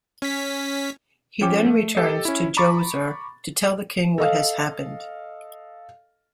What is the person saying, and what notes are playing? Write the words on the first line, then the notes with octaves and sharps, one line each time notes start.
He then returns to Djoser to tell the king what has happened.
C#4 B6
F3 C#4 G5 D6
A3
G4 A4 D#5
C#4 E4
A#5 B5 C#6 D6 A6
A4 D#5 F5